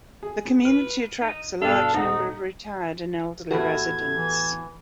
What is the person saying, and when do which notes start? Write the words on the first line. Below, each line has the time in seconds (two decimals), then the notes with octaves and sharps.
The community attracts a large number of retired and elderly residents.
0.23 G#4
0.65 B4 F6
1.21 D#4
1.62 G2 B2 D4 A4 F5
1.93 D#1 C4 D#4 F#5 A#6
3.51 E2 A2 F#4 G4 A4 G#6
4.16 E3